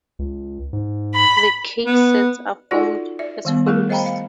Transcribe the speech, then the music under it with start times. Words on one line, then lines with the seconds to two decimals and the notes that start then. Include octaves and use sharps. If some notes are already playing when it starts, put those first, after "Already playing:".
The K sets are formed as follows.
0.19 C#2
0.73 G#2
1.14 B5
1.86 B3
2.71 D#4 F4 F#4 A4 D5 F#5
3.19 D5 E5
3.45 D#3 G3 B3
3.67 G3 A3 E4 G#4 A#4
3.89 C5 D#5 F5 G5 A#5 B5
4.06 F5